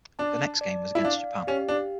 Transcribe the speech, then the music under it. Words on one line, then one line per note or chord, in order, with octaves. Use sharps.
The next game was against Japan.
D4 A5
D5
E4
D4 F5
C#4 G4
D4